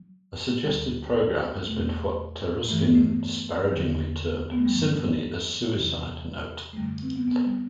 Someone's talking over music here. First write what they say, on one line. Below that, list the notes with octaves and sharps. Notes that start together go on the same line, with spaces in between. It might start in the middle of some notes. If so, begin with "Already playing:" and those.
A suggested program has been what Taruskin disparagingly termed symphony as suicide note.
Already playing: F#3
D2 D3 G3
E2 B2 A3
G2 E3 A3
B3
A3
E2 D3 F#3
B3
A3
G3
G2 E3 F#3
E2 C3 E3 F#3
A3
F#2 D3 G3
C4
B3
B3
G3